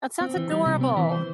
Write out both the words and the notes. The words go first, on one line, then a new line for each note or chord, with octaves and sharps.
That sounds adorable.
C4
E3
G3
C3
C4
E3
C5